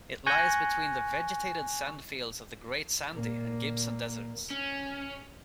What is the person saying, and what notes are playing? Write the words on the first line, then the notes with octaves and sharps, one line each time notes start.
It lies between the vegetated sand fields of the Great Sandy and Gibson Deserts.
G#5 C#6 F#6 G6 A#6
A#2 A#3
C#4